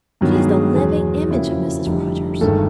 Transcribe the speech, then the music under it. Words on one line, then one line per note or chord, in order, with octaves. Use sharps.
"She's the living image of Mrs. Rogers."
G2 D#3 F#3 B3
G#3 G#4
G#3 G#4
E2 B2 F#3 G#3 G#4
F2 C#3 F#3 A#3 E4
F1 F2 D3 G3
G1 G2 D#3 G#3 A3 A4